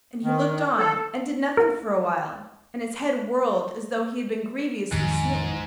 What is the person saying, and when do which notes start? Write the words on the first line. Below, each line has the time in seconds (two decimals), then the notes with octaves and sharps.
And he looked on and did nothing for a while, and his head whirled as though he had been grievously smitten.
0.24 D#3
0.78 A4
1.57 A#4
4.92 A1 F2 G#2 D#3